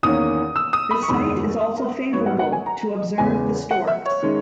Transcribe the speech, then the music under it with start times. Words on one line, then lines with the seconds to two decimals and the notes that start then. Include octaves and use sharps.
The site is also favorable to observe the storks.
0.03 E2 D#3 A#3 C#4 D#6
0.56 E6
0.73 D#6
0.91 B5
1.03 C#6
1.08 F#1 E2 D#3 G#3 B5
1.61 E5
1.78 A#4
2.13 G#2 F#3 B3 C#5
2.26 F#5
2.39 F#5
2.52 G#5
2.66 A#5
3.18 E2 C#3 G#3 B3 G#5
3.71 F#5
3.87 E5
4.06 C#5
4.23 D#3 G#3 C#4